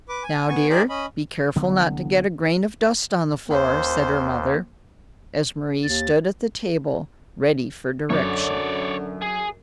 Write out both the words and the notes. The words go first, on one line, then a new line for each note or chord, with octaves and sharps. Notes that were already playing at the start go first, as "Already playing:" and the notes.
"Now, dear, be careful not to get a grain of dust on the floor," said her mother, as Mari stood at the table ready for directions.
B4 D6
G#5
B3 G#5 C#6
D#4 G4 G#4 A#4 C5 D5
C#4 D#5 B5
C2 D3 F#3 B3
D#2 C#4 C5
D#2 A6
F#2 D3 C#5 D5
G#4